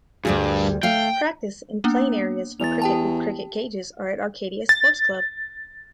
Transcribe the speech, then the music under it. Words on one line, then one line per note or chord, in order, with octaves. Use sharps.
Practice and playing areas for cricket with cricket cages are at Arcadia Sports Club.
D2 G2 G3 G#4
A3 F5 G5
A#3 B3 D4
E2 A6 F7
G4 G5 A5
A6